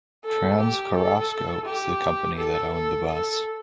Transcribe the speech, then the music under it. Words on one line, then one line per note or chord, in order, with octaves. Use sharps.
Trans Carrasco was the company that owned the bus.
A4
G4
A4
G4
A4
A4
A4